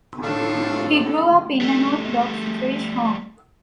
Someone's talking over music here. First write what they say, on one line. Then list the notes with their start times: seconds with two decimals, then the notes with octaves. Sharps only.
He grew up in an Orthodox Jewish home.
0.23 A2 A3 D4 A4 F5 C#6
1.61 G3 A3